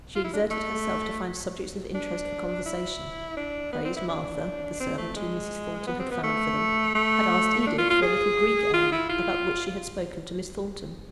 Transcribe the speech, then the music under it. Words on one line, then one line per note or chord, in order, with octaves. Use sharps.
She exerted herself to find subjects of interest for conversation; praised Martha, the servant whom Mrs. Thornton had found for them; had asked Edith for a little Greek air, about which she had spoken to Miss Thornton.
F4
E4
D4
A3
D4
E4
D4
B3
C4
E4
D4
C4
A3
G#3
B3
C4
B3
A3
A3
D4
F4
F4
G#4
F4
E4
F4